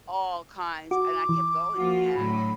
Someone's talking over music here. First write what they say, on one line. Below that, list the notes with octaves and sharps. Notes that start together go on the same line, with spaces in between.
all kinds and I kept going and
F#4 D6
E3
F3 A#3 F4 F#4
A2 D3 F#3 B5